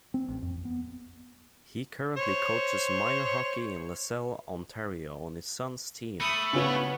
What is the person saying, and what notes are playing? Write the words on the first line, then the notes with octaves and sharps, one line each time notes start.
He currently coaches Minor Hockey in Lasalle, Ontario on his sons team.
C4
A1
F2
B3
C5 C#5
A3 B5 D#6
C#3 B3 C#4